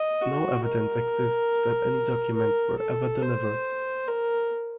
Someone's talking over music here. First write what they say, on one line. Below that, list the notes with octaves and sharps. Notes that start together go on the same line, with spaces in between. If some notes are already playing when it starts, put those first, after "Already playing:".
No evidence exists that any documents were ever delivered.
Already playing: D#5
F#4
A#4
A#4
A4
C5
A#4